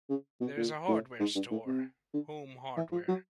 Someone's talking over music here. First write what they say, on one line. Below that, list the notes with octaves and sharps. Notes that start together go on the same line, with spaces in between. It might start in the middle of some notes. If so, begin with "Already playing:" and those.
There is a hardware store: Home Hardware.
C#3
B2
A#2
A2
G#2
G2
A2
C3
D3
E3
F3
F#3